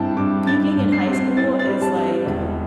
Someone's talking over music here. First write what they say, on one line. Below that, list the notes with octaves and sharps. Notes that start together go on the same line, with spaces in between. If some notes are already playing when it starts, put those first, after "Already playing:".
peaking in high school is, like
Already playing: G2 C4 E4 G5 A5
G2 D6
G2 A6
G2
C7
C4
C7
E4 A6
A6
G3
A5
E4
E1